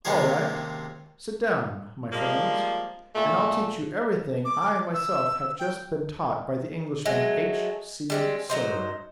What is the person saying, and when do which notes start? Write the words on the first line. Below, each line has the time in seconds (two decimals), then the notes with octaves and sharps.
"All right, sit down, my friends, and I'll teach you everything I myself have just been taught by the Englishman H. C. Sirr!"
0.05 D#2 C3 G#3 C#4 F4 G#4
2.13 F3 G3 G#3 A#3
3.15 A#2 A3
4.45 D6
4.94 E6
5.60 G5
7.05 F#3 G#3 A3
8.10 G3 G#3 C4
8.49 F#3 D#4 C5